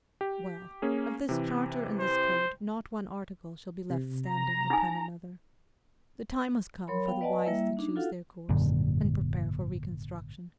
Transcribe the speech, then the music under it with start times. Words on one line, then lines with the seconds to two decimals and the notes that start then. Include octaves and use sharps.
Well! of this charter and this code not one article shall be left standing upon another! The time has come for the wise to choose their course, and prepare for reconstruction.
0.21 G4
0.82 A#3 C#4 G#4
1.29 C3 E3
2.00 C5
3.90 C3
4.28 A#5
4.70 D#4 G#5
6.87 F#3 A#4 C#5 B5 C6
7.07 B3 F5 G5
7.21 B4 D5 D#5 F#5 G#5 A5
7.45 G3 A#3 E4 E5
7.77 D4 D#4
7.96 F4 F#4 A4 F5 F#5
8.49 G#1 F#2 A#2 D3